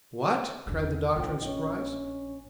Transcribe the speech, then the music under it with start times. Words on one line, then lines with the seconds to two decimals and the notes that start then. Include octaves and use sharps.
"What?" cried the doctor in surprise.
0.66 E2 D3
1.16 A#1 F4 C5 G5
1.41 C#4 B4 D#5